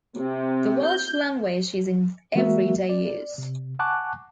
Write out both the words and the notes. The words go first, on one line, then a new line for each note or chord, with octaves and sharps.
The Welsh language is in every day use.
C3
G6
E3 G#3 A#3 F#4 A#4 E5
D5
C3
F#5 G#5 A5 C#6 D6 F#6